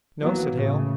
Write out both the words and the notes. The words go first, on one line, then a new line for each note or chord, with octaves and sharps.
"No," said Hale.
D#3 E3 F#3 A#3 B3
A2 C#3 A3